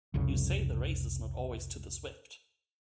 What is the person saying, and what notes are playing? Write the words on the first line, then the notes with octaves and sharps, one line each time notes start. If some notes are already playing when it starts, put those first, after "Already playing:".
You say the race is not always to the swift.
C2 F2 C#3